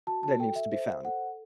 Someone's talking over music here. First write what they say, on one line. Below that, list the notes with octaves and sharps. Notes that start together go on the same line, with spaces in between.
that needs to be found.
F#4 A5
A5
A4 G5
E5
C5 E5
A4 F#5